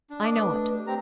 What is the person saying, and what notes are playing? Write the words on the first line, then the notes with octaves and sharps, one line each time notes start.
I know it.
D4
D#5 D6 D#6
A3 B4
G4
C4 A#5